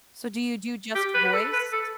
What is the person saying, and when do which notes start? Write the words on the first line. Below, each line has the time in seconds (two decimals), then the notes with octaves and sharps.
So, do you do just voice?
0.95 G4
1.14 B4
1.25 B4
1.33 A4
1.53 B4
1.72 A4